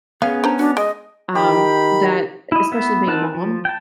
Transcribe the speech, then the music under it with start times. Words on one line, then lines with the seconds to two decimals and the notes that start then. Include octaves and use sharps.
um, that, e especially being a mom,
0.22 B3 C#4 G#4 F5
0.44 D4 C5 A#5
0.59 D4 F#4
0.77 G#3 D#5
1.35 D#3 G4 B5
2.52 E4 D#5
2.72 B3 E5
3.07 C4 D#4 A#4 F#5 A5
3.34 F3
3.65 G5 A5